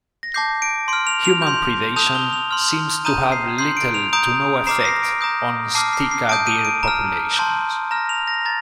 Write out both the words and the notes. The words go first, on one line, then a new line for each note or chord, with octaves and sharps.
Human predation seems to have little to no effect on Sitka deer populations.
A#6
A5 D6 G6 C7
D7
C6 F6 D7
F7
F7
C6 G6
A5 D#6 G6 F7
G7
F7
C6 F6
A#5 D#6 G6 D#7
C7
C6 G6 C7
D7
F7
A#5 D#6 G6 D7
A#5 D6 F6 C7
A#6
C7
D7
A#5 D#6 G6
A5 D6 F6 C7
C7
C7
A5 D#6 G6 D7
D#7
D7
A#5 F6
A5 C6 G6
A#5 F6 A#6
F7
A#6
A#5 A6